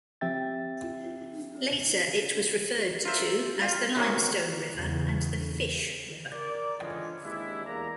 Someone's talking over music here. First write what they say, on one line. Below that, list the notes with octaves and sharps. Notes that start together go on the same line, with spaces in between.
Later it was referred to as the Limestone River, and the Fish River.
F3 C4 G4 E5 G5 A6
F4 A#4 C5 E5
F4 F5
B1 C3 D#3 A#3 C#4 F#4
E2 C#3
A#4 D5
D3 E3 F3 G#3 B3 C#4
D#2 C3 G#3 D4 E4
E2 G#3 A#3 D5 A#5